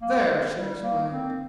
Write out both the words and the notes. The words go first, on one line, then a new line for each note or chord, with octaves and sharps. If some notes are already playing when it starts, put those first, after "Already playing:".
"There!" she exclaimed.
A#3
G3
A#3
C4